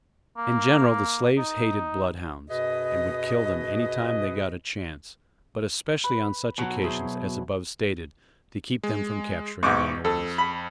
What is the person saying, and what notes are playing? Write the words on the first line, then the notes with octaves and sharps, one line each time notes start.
In general the slaves hated bloodhounds, and would kill them any time they got a chance, but especially on such occasions as above stated, to keep them from capturing runaways.
A#3
D#4
F#2 B2 G#4 B4 D#5
B4 B5
B2 F#3 F#4
E4 G#4 C5
G#3
B1 G#2 C#6 D6
F2 A4
B5